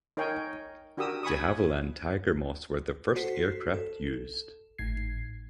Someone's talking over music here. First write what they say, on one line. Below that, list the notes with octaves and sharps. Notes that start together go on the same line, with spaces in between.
De Havilland Tiger Moths were the first aircraft used.
D#4 A#4 C#5 G5 G#5
D4 F#4 G4 A#4 D#6 E6
G#5 B5 C#6 D#6
F#4 A4 C5 B6 C7
A4
G#1 A2 G#6 C7